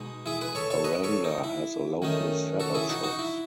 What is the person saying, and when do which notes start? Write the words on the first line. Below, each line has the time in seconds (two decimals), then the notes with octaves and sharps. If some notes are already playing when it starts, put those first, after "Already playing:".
Aranda has a local set of shops.
Already playing: B2 G#3 D#4
0.26 E4 G#4
0.41 G#4 B4
0.55 A4 C#5
0.70 A4 C#5
0.84 B4 D#5
1.04 A4 C#5
1.24 D#4
1.44 E4
2.02 F#2 D#3 A3 D#4
2.60 F#4 A4
2.75 E4 G#4
2.89 D#4 F#4
3.04 D#4 F#4
3.19 E4